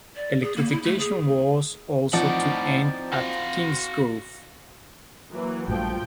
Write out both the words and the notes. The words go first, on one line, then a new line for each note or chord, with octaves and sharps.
Electrification was also to end at Kingsgrove.
D5
G#4
A#3
E4
A3
G#4
A2 F3 C4 D#4 D5 F#5
F#4 F5
E3 F#3 A#3
A#1 G2 F3 A3 G5